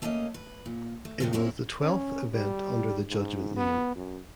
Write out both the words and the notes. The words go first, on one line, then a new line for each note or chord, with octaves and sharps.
It was the twelfth event under the Judgement name.
A3 A#3 C#4 D5 D#5
B4
A#2
A3
F2 A2 C#3 G#3 C4
A#3 C4 C#4 E4 F#4 A#4
C#4
G3
G#2
B3
F#2